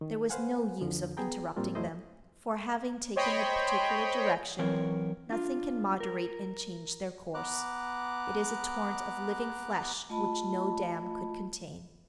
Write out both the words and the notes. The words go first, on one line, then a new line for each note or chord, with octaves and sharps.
There was no use of interrupting them, for, having taken a particular direction, nothing can moderate and change their course; it is a torrent of living flesh which no dam could contain.
D#3
B4 C5 F5 F#5 G#5
F2 D3 F3
B3 G#4 G5 A#5
A2 G3 A#3 C4 F4
E2 F#3 A3 E4 C5 D#5
C5 C#5 D#5 G5 B5 C6
E3 F#3 C4 A#4 C#5
D4 F4
A#4
B3 A#5 D6 F#6
A3 F4 D#5 A5 B5